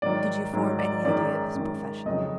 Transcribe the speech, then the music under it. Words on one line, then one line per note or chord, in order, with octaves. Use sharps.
"Did you form any idea of his profession?"
G#2 D#3 F#3 D5
G#2 D#3 F#3
D5
F#2 D#3 G#3 D5
F#2 D#3 G#3
F2 C#3 F#3 D#5